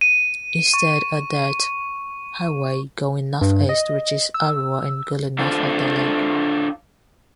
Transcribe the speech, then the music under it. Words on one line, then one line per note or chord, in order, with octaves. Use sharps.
Instead a dirt highway going north-east reaches Arua and Gulu north of the lake.
D#7
C#6
G2
D#5
E6
D4 F4 A4 C5